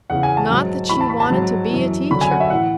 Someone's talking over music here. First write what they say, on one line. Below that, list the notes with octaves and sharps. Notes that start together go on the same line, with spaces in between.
Not that she wanted to be a teacher!
E2 C#3 E3 F#5
G#5
A5
G#2 F#3
A2 E3 B5
A5
B5
A5
G#2 F#3
F#2 E3
F#2 D3 F#3 B5
G#5
F#5
E5
A2 E3 F#5